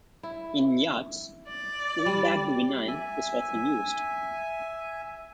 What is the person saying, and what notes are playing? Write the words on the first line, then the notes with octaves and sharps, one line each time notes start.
In yachts, foam-backed vinyl is often used.
E4
D5
G3
E5 G#5